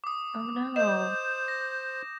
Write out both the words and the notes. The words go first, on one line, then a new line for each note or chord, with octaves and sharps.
Oh no.
D6 D#6
C5 D#5 G6 E7
A#6